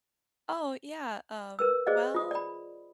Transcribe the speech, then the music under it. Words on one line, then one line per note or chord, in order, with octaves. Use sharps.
Oh, yeah, um, well,
A#4 B4 E6
G#4 C5 D5 D#5 F5
F4 D#6
D5 B5